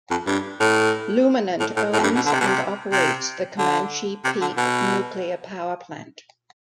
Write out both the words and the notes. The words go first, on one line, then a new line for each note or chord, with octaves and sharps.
Luminant owns and operates the Comanche Peak Nuclear Power Plant.
F2
G2
A2
A2
A2
A2
F2
G2
B2
D3
C3
B2
C3
C3
D3
C3
D3
B2